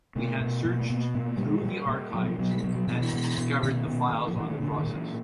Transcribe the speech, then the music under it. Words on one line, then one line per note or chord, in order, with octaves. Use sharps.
We had searched through the archives and discovered the files on the process.
B2 A3
B2
B2 A#3
A#3
B2
A#2 A#3
A#2 G3
G#3
A#2 G3
A#2
B2 F#3
F3
B2 F#3
G3
B2 F#3
F#3
B2 F3
E3
B2
B2
B2 D#3
B2
A#2
F3
A#2 E3
D#3
A#2 D3
D3
D#3
A#2
E3